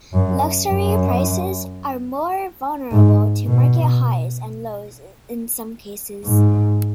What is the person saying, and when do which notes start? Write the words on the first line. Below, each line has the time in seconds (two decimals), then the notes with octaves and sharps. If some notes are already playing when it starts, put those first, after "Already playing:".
Luxury prices are more vulnerable to market highs and lows in some cases.
0.13 F#2
0.69 F#2
2.92 G#2
3.47 B2
6.25 G#2